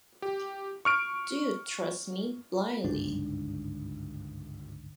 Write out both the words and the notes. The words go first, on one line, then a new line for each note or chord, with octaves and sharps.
Do you trust me blindly?
G4
C#6 F6 D7
G1 C#2 G#2 D4